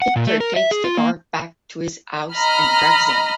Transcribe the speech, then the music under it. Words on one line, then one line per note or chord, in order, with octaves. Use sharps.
Victor takes the guard back to his house and drugs him.
F#5
A#2
A3
A#4
E5
G#4
F4
A#3
D#5 A#5 B5 F6